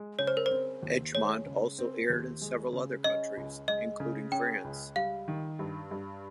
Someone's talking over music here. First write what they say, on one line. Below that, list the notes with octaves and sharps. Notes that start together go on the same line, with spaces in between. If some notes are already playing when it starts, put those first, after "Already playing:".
"Edgemont" also aired in several other countries, including France.
Already playing: G#3
C#3 C#5
C5
A#4
C5
C4
D#2
G#3 C#5
C#3
C4
D#2
G#3
C#3
C#4 D#5
C#2
G#3 D#5
C#3
C#4 G5
C#2
G3 F5
D#3
G2
G2